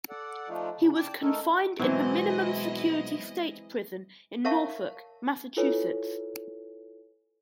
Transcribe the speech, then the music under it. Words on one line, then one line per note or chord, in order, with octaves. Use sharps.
He was confined in the minimum security state prison in Norfolk, Massachusetts.
A4 D5 F#5
F3 A3 D4 D#4 F4
C#3
D5 G5 A5
A3 D#4 A4 A#4
B2 E3 F#3 G#3 C4 E4 D#5
A#4 C#5 E5 F5 A5 C#6
E4 F4 A4 B4 C#5 G#5